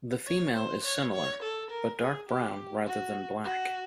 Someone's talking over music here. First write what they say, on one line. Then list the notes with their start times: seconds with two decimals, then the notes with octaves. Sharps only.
The female is similar, but dark brown rather than black.
0.27 C#5
0.56 C5
0.85 C#5
1.14 C#5
1.43 A4
1.71 A#4
2.00 G#4
2.30 G4
2.86 F#4
3.44 F#4